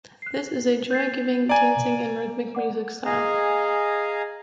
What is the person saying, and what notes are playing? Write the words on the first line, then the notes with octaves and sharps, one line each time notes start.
This is a joy-giving, dancing and rhythmic music style.
F#6 C7
G6 A6 C7
D5 G#5 A#5
D5 F#5 D6
G#4 D#5 F5 G#5 A#5